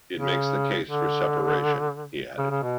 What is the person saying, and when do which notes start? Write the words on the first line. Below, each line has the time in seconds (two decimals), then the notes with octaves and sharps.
It makes the case for separation, he added.
0.16 C#3
0.86 D3
2.39 C#3
2.51 C#3
2.63 B2